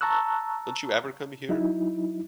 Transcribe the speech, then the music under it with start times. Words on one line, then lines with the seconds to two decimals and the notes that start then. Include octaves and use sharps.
Don't you ever come here?
0.01 A5 A#5 C#6 E6 F#6
1.49 F#3 D#4 E4